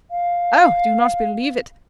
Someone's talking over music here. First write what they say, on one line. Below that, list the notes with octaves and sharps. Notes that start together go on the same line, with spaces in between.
Oh! do not believe it!
F5